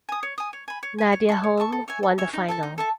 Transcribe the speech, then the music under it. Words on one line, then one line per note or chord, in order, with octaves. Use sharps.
Nadja Holm won the final.
G#5 D#6
C#5
G#5 D#6
C#5
G#5 B5
C#5
G#5 B5
C#5
E5 A5 C#6
C#5
E5 A5 C#6
A4
C#5 E5 G#5
A4
C#5 E5 G#5
D#4
A4 E5 A5
D#4
A4 E5 A5